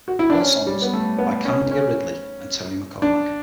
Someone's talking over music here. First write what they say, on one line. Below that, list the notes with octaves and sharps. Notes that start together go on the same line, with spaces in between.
All songs by Candia Ridley and Tony McKormack.
F#4
E4
D4
C#4
G3
B3
A3
B3
C#4
C#4
D4